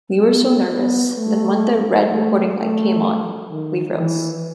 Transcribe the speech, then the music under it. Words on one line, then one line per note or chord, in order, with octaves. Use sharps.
We were so nervous that when the red recording light came on we froze.
B3
B3
A3
A3
A3
D#3
E3